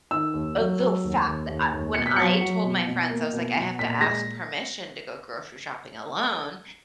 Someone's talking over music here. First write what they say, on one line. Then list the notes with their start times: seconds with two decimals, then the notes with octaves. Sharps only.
uh, the fact that I when I told my friends, I was like, "I have to ask permission to go grocery shopping alone."
0.11 D#3 E6
0.34 D#2
0.57 F#3
0.80 F#3
1.04 D#2
1.25 D#2
1.48 D#2
1.72 D#2
1.94 B2 C#7
2.06 B6
2.16 F#3 C#7
2.41 F#3
2.64 B2
2.87 B2
3.09 A#3
3.33 B2
3.56 B2
3.79 A#2 B6
4.01 G#3 A#6